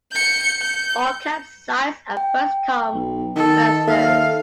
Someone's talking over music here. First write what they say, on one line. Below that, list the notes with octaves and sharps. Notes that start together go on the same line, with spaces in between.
All camp sites are first-come, first-served.
G6 C#7
G6
G5
B1
D#3 A4
D#2 A4 E5 F5